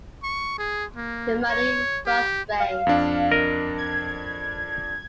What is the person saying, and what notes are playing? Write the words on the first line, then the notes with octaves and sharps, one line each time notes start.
The money was raised.
C#6
G#4
A#3
C#5
G4
F5
F2 D4
A#4 D#5
G#6